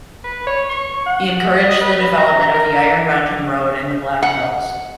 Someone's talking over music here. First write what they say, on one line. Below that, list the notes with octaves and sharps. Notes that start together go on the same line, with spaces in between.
He encouraged the development of the Iron Mountain Road in the Black Hills.
B4
C#5
C#6
F#5
D#5
B4
A#5
A#4
F#5